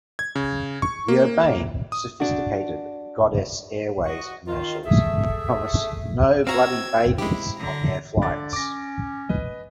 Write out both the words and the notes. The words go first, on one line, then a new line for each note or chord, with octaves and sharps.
The urbane, sophisticated Goddess Airways commercials promise "no bloody babies" on their flights.
G#6
C#3
C#6
A#3
D#6
D4 F#4
F#4 D#5 C#6
D#3 F4
A3 G#4 E5
C4 F#4 F5 A#5 E6 G#6 A#6
G#3 E4 G4
D3 A#5
D3 D6 A6
C#4 D6 A#6
B4 D#5